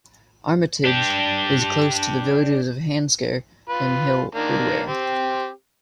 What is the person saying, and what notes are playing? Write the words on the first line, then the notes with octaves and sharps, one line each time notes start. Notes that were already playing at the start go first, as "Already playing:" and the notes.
Armitage is close to the villages of Handsacre and Hill Ridware.
D4 G4
F4 B4
D#3 A#3 D4
C4 G4